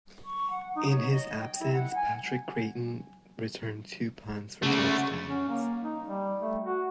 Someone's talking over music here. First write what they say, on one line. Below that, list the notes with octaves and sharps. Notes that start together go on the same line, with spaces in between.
In his absence, Patrick Crayton returned two punts for touchdowns.
C#6
F#5
D#4
C#5
D#5
G5
E4
F#5
G#5
C#3 A3 F#4
C#4
A#3
D#4
G3
A3
F#4